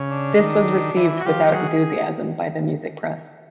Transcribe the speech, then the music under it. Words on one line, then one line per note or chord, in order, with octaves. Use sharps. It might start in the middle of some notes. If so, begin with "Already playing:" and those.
This was received without enthusiasm by the music press.
Already playing: C#3
D4
D#3
E3
F#4
F3 G4
F3 G4
F#3 G#4